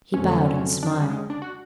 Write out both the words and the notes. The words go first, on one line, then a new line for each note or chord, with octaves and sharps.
He bowed and smiled.
F2 D3 F#3 A3 C4 C#4
D4
C4
G3
G#3
D4
F#4